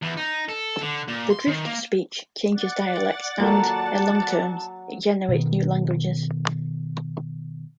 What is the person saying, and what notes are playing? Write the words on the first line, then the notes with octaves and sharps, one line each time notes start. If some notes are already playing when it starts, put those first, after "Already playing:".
The drift of speech changes dialects and, in long terms, it generates new languages.
E2
D#4
A4
D3
A#2
C6
D#3
A#3
D5 F#5 A6
F#3 A#3 F4 A4 A5
B2 D#3